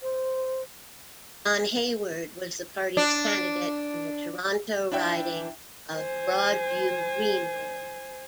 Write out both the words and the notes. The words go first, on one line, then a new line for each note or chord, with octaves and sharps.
Don Hayward was the party's candidate in the Toronto riding of Broadview-Greenwood.
C5
D4
D4 E4 E5 G5
C5 G#5